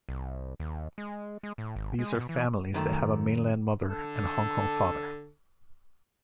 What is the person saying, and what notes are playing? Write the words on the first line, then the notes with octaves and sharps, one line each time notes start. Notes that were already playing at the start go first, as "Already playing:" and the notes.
These are families that have a mainland mother and a Hong Kong father.
C2
D#2
G#3
G#3
A2
G#1
G#3
B2
E3
F#2 D#3 A3
D3 A4